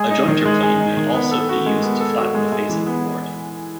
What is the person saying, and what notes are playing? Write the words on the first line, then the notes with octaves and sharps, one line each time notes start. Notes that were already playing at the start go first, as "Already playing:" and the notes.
A jointer plane may also be used to flatten the face of a board.
Already playing: G#3 G#4
D#4
D#3
G#3
G#4
D#4
D#3
B3
A4
F#4
G#3
B3
A4
F#4
G#3
G#3
E3
B3